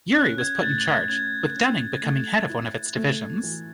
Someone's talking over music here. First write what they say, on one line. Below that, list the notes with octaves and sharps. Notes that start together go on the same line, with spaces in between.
Urey was put in charge, with Dunning becoming head of one of its divisions.
C#4 F#6
G#6
A2 A6
G#6
C#4 G#6
C#4
A3
E4
A3
E3